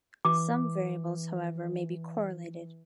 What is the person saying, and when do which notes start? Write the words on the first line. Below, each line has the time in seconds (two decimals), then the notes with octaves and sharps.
Some variables however may be correlated.
0.25 E3 D6